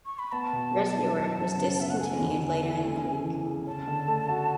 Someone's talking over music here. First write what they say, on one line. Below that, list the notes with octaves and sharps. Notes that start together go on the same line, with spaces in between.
Rescue work was discontinued later in the week.
C#6
B5
B3 A5
B2
F#3
E4
F#3
F#2
C#3
B3 E5
F#5
A3 G#5
E2
D3
E4
A3
C#3
E3
C#3
C#4 A5
D3
A3
F#4